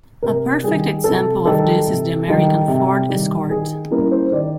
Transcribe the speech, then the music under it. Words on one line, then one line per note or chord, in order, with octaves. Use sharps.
A perfect example of this is the American Ford Escort.
C3 A#4
D#3 G3 G#4
C3 A4
D#3 G3 A4
C3
D#3 G3
C3
D#3 G3
D#3 G#4
G3 A#3 C#4 E4 A#4
C5
D#3 D5